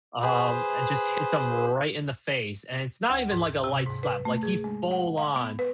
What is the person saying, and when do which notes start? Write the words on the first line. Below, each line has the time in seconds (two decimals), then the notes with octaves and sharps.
um, and just hits him right in the face, and it's not even like a light slap, like, he full on
0.23 G#4 B4 C5
3.10 D2
3.31 G#2
3.64 C3
3.87 G#2
4.03 B4
4.25 A3
4.43 G#4
4.64 G#3
4.91 F#5
5.18 F5
5.36 B3
5.59 B4